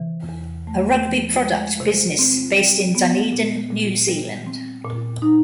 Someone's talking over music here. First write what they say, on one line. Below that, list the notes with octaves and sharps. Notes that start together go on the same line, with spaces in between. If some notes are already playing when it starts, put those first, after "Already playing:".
A rugby product business based in Dunedin, New Zealand.
Already playing: C3 E3
E2
A3
F3
G#3
C3
C4
G3
B3
A#2
A#2
G3
C4
A#2
D#4